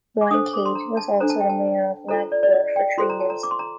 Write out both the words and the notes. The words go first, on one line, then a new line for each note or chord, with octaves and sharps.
Wankhade was also the mayor of Nagpur for three years.
D6
D4 A4 C5 D#6
D6
C6
A#5
A5
D4 A4 C5 A#5
A5
G5
A5
F4 A4 C5 A#5
D5
D5
D#5
G5
F4 A4 C5 C6
A#5
A5
A#5
D6
C6
A#5